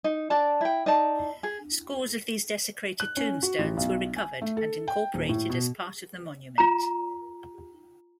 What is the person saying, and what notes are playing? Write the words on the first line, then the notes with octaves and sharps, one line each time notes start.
Scores of these desecrated tombstones were recovered and incorporated as part of the monument.
D#4
D4 D5 A5
E4 G5
D#4 D5 A5
G#4
F#6
C#4
F#4
A1
B1
G#5
A3
A4
G5
D#1
A2
B2
F4 A#5